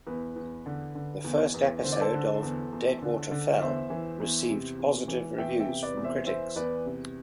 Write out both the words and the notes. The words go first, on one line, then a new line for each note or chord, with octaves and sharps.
The first episode of "Deadwater Fell" received positive reviews from critics.
E2 B4
E2
D3
D3
E2
E2
D3 C5
D5
A4 C5
D3
E2
E2
D3
D3
E2 C5 E5
E3
E2
C3
E2
E3
E2 E5 G5
E5 G5
C3
B4 D5
E2
C5 E5
E3 C5 E5
E2 B4 D5
C3